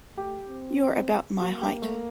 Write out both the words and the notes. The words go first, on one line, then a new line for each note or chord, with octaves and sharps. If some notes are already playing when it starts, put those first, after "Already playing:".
You’re about my height.
A3 G4
C4
A#3 F#4
G4
A3 A4